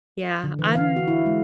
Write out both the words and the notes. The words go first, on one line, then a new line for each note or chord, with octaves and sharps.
Yeah, I'm
D3
E3
F5
F#4
E4
G#3